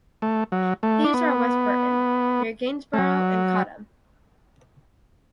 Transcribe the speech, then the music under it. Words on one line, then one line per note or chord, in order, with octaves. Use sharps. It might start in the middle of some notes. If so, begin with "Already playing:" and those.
These are West Burton, near Gainsborough and Cottam.
A3
F#3
A3
D4
B3
A3
F#3